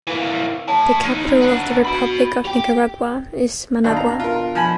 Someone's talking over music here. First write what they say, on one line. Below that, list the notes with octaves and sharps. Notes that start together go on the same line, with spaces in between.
The capital of the Republic of Nicaragua is Managua.
E3 A#3
C#5 A5
A#3 D#4
B3 D4
F#4 B5
G4 G5
D#2 B2 D4 F5
A#5
F4 A#4
F3 G#5 B5